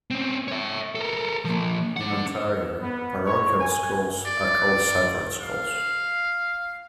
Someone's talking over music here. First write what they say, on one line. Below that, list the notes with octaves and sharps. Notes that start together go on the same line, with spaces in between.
In Ontario, parochial schools are called separate schools.
C4 C#4
C#5 E5
A4 A#4
F3 A#3
D4 F#5
B3
C#5
G#5
D5
F5